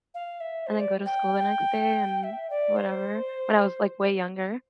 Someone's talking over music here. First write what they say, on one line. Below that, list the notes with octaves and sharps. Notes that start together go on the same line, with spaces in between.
and then go to school the next day and whatever, when I was, like, way younger,
F5
E5
C5
D5
G5
E5
D5
C5